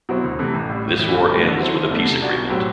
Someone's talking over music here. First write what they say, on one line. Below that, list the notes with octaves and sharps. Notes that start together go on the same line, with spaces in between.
This war ends with a peace agreement.
B2 F#3 C4 E4
D2
C3 E3 A3
A1
A2 G3
A2
E3 G3
G1
F#2 F#3 A3
D3
F#3 C4 E4 A4
F#1
E2 D3 A3 E4
C3
G3 D4 F#4
B1
A2 F#3 C4 G4